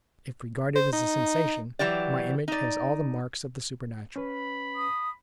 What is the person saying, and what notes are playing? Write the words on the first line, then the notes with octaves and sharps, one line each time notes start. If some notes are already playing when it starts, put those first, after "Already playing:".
If regarded as a sensation, my image has all the marks of the supernatural.
C5
D#4
E3 F#3 G4 D5
D#4 D5
C#4 B4 B5
D#6